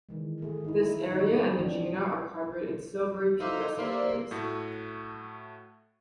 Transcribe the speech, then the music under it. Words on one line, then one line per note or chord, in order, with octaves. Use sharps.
This area and the gena are covered in silvery pubescent hairs.
D#3 E3 G#3
A3 G#4
A3 D#4 E4
D3 F3 D#4 F#4 C#5
G3 A3 C4
E3 F3 B3 D4
D#4 A4 C5 E5 F5 C6 D6
A#3 G4 C5 D5 E5 F5 C6
A2 A3 F#4